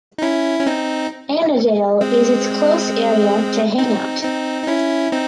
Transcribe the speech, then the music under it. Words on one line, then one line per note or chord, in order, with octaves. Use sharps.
Annadale is its close area to hangout.
D#4
C#4 E4
C#4
C4 D#4
G#3 C4
C4 D#4
C4 D#4
D#4
C#4 E4
C4 D#4